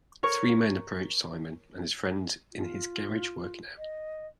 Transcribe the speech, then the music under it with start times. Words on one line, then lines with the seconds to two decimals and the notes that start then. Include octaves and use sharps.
Three men approached Simon and his friend in his garage working out.
0.23 A#4 C#5 C#6
2.52 F4
3.78 D#5